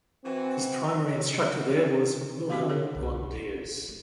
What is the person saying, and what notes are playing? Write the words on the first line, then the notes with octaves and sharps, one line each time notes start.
His primary instructor there was Wilhelm von Diez.
E3 C4 F#4
C#5 D#5
C4 D4 F#4 G4 F5
G#4 A#4 C#5
B1 E2
F#3 A#3
C4
C3
A3